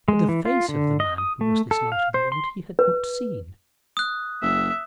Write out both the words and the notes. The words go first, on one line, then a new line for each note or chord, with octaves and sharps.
But the face of the man who was this light of the world he had not seen.
G#3
E3
F4
D3
D#5
D#6
A3
A4
F5
C5
C6
B4
D#6 F#6
F#1 E5